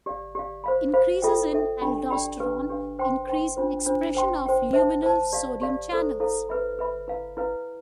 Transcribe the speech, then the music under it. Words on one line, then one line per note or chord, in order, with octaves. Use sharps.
Increases in aldosterone increase expression of luminal sodium channels.
G4 D5 F5
G4 D5 F5
C5 F5 B5
C5 F5 B5
F4 A4 E5 G5
F4 A4 E5 G5
D4 G4 D5 G5 B5
D4 G4 D5 G5 B5
D4 G4 B4 F5
D4 G4 B4 F5
C5 G5 C6
C5 G5 C6
D4 F4 C5
D4 F4 C5
C5 G5 C6
C5 G5 C6
C5 E5 A5
C5 E5 A5
G4 D5 F5
G4 D5 F5
E4 A4 C5 F5
E4 A4 C5 F5
B4 E5 B5
B4 E5 B5
E4 B4 F5
E4 B4 F5